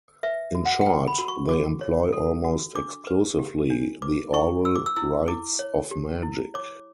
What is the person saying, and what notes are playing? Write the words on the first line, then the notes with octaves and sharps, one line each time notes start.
In short, they employ almost exclusively the oral rites of magic.
B4 E5
F#4
F#5
F#5
B4 G5
B5
F#4
C#6
F#4 D6
C#5
A4
F#4
D4 D6
B4
G4
D4
B4 D6
E4 C#6
B4 E6
D6
E6
E4 E6
E4 D6
C#5
G4
E4
C#5 D6